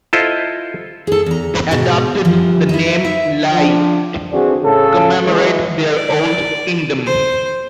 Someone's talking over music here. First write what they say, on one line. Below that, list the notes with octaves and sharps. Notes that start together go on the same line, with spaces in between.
They adopted the name Lai to commemorate their old kingdom.
E4 F4 A4 C5 D#5
G#4 A4
E2 A#5
G#2 B2 A5
F#2 E3 F3 G3
D#4 E4
E5
F3 D4
D3 E3 C4 D4 F#4 G#4
A2 C#3 A4
E3 G#3
D5
C5